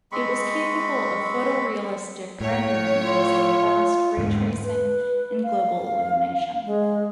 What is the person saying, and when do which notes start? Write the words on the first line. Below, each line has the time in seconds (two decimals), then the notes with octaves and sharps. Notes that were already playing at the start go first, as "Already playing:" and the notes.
It was capable of photorealistic rendering using fast ray tracing and global illumination.
0.12 G#3 C4 B5 C#6
2.40 A2 C#5
3.04 F4
4.17 E2 G#2 D3
4.64 B4
5.43 F5
6.66 G#3